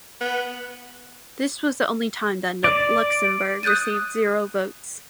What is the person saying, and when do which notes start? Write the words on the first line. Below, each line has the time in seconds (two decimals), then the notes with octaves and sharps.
This was the only time that Luxembourg received zero votes.
0.21 B3
2.64 D5
3.63 D#6 F#6 G6 A6 D#7